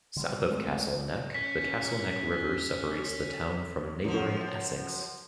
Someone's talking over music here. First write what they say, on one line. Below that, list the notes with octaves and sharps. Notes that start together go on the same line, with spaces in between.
South of Castle Neck, the Castle Neck River separates the town from neighboring Essex.
D3 G3
G#3 A3 B3 C4
C#4 B6
F#2 D#3 F3